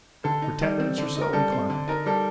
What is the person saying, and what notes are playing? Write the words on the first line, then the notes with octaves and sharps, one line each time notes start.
For ten minutes or so we climbed.
D3 A4
D#4
G3
C4
D3
D#4
A#4
G3 A4
C4
D3
D#4 A#4
G3 A4